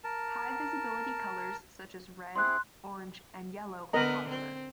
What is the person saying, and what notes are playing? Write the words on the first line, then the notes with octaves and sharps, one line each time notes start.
High-visibility colours such as red, orange and yellow are popular.
A#4 A5
C4 E4 G#4 C6 F#6
D3 B3 A#4 D#5 A#5
C4